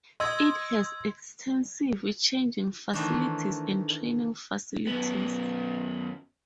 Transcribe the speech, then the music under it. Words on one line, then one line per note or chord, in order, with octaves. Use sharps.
It has extensive changing facilities and training facilities.
D#5 C6 E6 G#6
D#3 E3 A3 C4 D4 D#4
F#2 B3